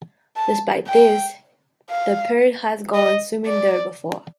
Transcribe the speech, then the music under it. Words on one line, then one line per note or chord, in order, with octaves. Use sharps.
Despite this, the pair had gone swimming there before.
A5
G5
F5
D#5
D5